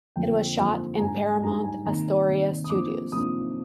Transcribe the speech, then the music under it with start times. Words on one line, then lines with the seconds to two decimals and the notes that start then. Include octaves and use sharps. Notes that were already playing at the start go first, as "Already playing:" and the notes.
It was shot in Paramount Astoria studios.
0.16 F2 D3 F3 A#3 G5
0.59 F2 D3 F3 A#3
0.97 A#5
1.00 G#2 G3 D4 G#5
1.36 G#5
1.43 G#2 G3 D4 A#5
1.64 G#5
1.85 C3 D#3 A#3 D#4 A#5
2.28 C3 D#3 A#3 D#4
2.64 D#6
2.70 C3 F3 A#3 D4 D6
3.12 C3 F3 A#3 D4 D#6